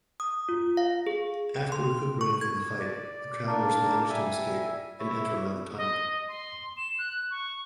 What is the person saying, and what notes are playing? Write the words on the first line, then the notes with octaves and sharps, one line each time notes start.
After recuperating from the fight, the travelers manage to escape, and enter another tunnel.
D#6
F4
F5
G#4
G5
C6
C#6
G#6
D5
A#3 D4 A#4 D5
G3 E5 G#5
E4 C#5 E5
D#5
C6
E7
F#6
C#6